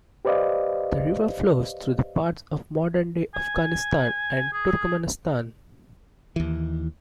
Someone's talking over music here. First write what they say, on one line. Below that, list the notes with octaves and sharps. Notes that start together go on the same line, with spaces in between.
The river flows through the parts of modern-day Afghanistan and Turkmenistan.
G4 B4 C5 D5 D#5 F5
G#5
G#4
D#2 E3